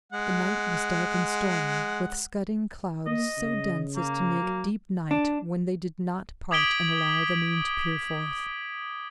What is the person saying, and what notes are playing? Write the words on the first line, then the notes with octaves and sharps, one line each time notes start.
The night was dark and stormy, with scudding clouds, so dense as to make deep night, when they did not part and allow the moon to peer forth.
G#3 F#5
A#3 D#5
C#3
A#3
F#3
D4
D6 D#6 G#6 B6 D7 G7